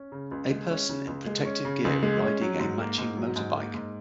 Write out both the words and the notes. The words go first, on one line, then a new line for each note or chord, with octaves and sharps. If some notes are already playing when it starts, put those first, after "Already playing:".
A person in protective gear riding a matching motorbike.
Already playing: C#4
C#3
C#2
G#3
C#4
C#3
C#2
G#3
C#4
C#3
C#2
G#3
C#4
F#3
G#2
A#3
G#2
F#3
G#2
A#3
G#2